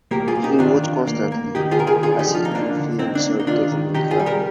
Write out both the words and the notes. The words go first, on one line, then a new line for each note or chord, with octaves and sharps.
He wrote constantly, as he could feel himself getting weaker.
A#3 G4 A#4
F4 G#4
A#3
D#4 G4
D#3 D4 F4
D#3
A#3
A#3
D#3 D#4 G4
F4 G#4
D#3 A#4
F4 G#4
D3 F4 G#4
D#4 G4
F3
F4
D#4
A#3 D4 F4
D3
A#3 C4 D#4
D4
A#3
D#4
D#3 D4 F4
D#3
D#3 D#4 G4
F4 G#4
G3
G4 A#4